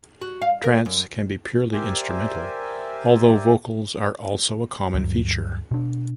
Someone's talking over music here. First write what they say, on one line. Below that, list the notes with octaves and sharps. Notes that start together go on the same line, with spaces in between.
Trance can be purely instrumental, although vocals are also a common feature.
F#4
F5
A#4
F#2
G4 A#4 C5 D5 E5 G#5
D2 G2 F#3
B2 D4